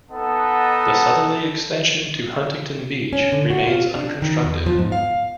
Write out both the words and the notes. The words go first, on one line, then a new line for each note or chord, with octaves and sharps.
The southerly extension to Huntington Beach remains unconstructed.
B3 D#4 A4 D#5 F#5 A5
C#4
D3
F#4
F4
D4
D#3
E2
F3
G#2
F5